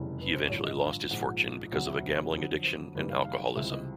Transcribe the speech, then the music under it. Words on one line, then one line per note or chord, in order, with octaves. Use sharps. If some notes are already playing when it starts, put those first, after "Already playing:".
He eventually lost his fortune because of a gambling addiction and alcoholism.
Already playing: F1 E2 C#3 E3 G3
B4
C5
A1 G2 D3 F3 C#5
D#5
F5
A#1 G#2 F3 F#5
E1 D2 C#3 F#3 F#5
E5
F2 D3 F#3
C5
F#1 F#2 D#3 G3 B4
F5
F5
C#2 C3 E3 G3 E5
D#5